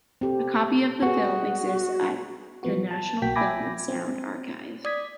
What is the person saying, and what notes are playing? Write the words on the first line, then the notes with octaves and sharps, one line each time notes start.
A copy of the film exists at the National Film and Sound Archive.
C4 G4 A4
B3 F#4 G#4
E3 F3 B3 F#4
A5
B1 A#3 F#4 G5 B6
E5 G5 G#5 B5 D6 A#6
C4
D5 D#6 G#6 B6